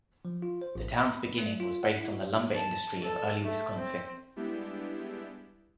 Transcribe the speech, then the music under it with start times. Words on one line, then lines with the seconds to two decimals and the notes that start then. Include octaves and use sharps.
The town's beginning was based on the lumber industry of early Wisconsin.
0.25 F3
0.42 F4
0.62 C5
0.75 A1
0.94 A#5
1.12 B5
1.38 A3
1.60 F4
1.83 F#5
1.99 E4
2.12 F#4
2.52 A5
3.02 A4
3.43 A3
3.78 C4
4.36 G3 G#3 B3 D4 E4 G4